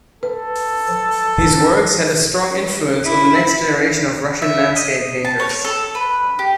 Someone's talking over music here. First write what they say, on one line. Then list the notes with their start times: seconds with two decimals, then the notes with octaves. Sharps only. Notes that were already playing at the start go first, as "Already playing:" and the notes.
His works had a strong influence on the next generation of Russian landscape painters.
0.23 A4 B4
3.04 E4
4.42 E5
4.76 D#5
5.25 A5
5.40 C#5
5.65 A4
5.95 B4
6.39 G4